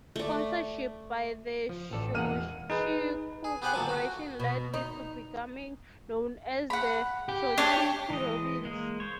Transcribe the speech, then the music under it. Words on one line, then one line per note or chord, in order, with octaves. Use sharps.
Sponsorship by the Shochiku Corporation led to it becoming known as the Shochiku Robins.
A3 D5
F3
A1 A4 D5
E1 A#3 G#4 F#5 F6 D#7
D#4 G#4 B4
G#4
B3 G4 B4 C5 F#5 G#5
D2 A#2 F#3 A5 C#6
F#4
B2
D#4
F#5 B5
G4
D4 C#5
E3 G#3 D#5
G#3 A#3
C5 C#5